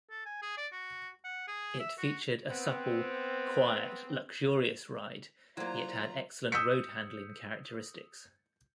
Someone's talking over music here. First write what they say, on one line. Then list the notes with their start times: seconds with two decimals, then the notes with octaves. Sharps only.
It featured a supple, quiet luxurious ride, yet had excellent road handling characteristics.
0.10 A4
0.25 G#5
0.42 G#4
0.57 D5
0.72 F#4
1.24 F#5
1.47 G#4
1.80 E5
1.98 F#4
2.50 B3 C4
5.57 F#3 A#3 E4 F4 C5 D5 A#5
6.52 D#6 E6 G6 B6 C#7